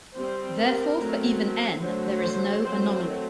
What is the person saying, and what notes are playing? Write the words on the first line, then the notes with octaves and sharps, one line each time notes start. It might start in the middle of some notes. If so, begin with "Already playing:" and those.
Therefore for even "n" there is no anomaly.
G3 C4 C5
A#4
F#3 A3 C4
D3 F#3 A3 C5
C5
F#3 A3 C4 C5